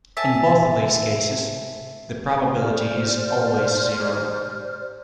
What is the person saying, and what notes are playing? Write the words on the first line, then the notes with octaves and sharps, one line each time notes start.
In both of these cases the probability is always zero.
E5 G#5 A5
G4 C5 D5 F6